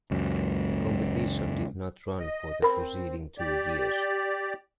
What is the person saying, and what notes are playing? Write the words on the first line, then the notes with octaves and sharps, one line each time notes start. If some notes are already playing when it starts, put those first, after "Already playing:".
The competition did not run for the proceeding two years.
C#2 F#2
D#5
C4 A#4 B5
G4 D5